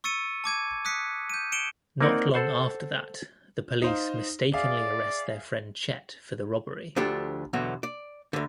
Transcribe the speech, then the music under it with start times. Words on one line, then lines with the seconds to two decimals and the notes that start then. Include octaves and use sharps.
Not long after that, the police mistakenly arrest their friend Chet for the robbery.
0.04 C#6 E6 A6 C#7 D#7
0.44 A5 D6 G#6 D#7
0.85 D#6 F#6 B6 C#7
1.30 G6 D#7
1.52 C#7 D7 E7 G7
2.01 A#3 C4 D#4 A#4 D5 F#5
2.34 A4 C5 F#5
3.82 D#4 C5 F5
4.54 G#4 D5 E5 F5
6.96 D2 F3 D4 G4 A4
7.53 E2 B2 D3 F#3
7.83 D5
8.33 D2 D3